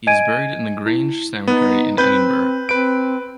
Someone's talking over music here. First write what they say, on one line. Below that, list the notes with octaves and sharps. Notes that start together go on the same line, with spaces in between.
He is buried in the Grange cemetery in Edinburgh.
D#5 G#5 G#6 D7 D#7
E4
B3 D#4
C4 B4 G6
C4 B4 D7